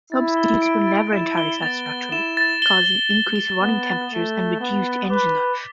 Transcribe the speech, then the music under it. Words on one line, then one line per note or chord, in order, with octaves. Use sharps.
Substitutes were never entirely satisfactory - causing increased running temperatures and reduced engine life.
E4 A6
G7
D7
A6
E4 E7
G7
B3 A6
A6
E4 E7
A6
G7
G7
G7
G7
B3 G7
A6
A3 A6
G7
B3 G7
A6
B4 D6
B6